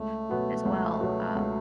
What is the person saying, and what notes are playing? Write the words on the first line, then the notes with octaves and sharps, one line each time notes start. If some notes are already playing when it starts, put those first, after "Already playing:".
as well, um
Already playing: C#2 A3
B2 F#3 B3 F#4
C#2
B2 F#3 B3 F#4
C#2